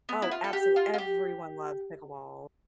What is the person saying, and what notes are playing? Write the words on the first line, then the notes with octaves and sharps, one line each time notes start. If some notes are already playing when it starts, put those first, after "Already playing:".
Oh, absolu everyone loves pickleball.
B3
E4
F4
A4
G4
F4
F4
G4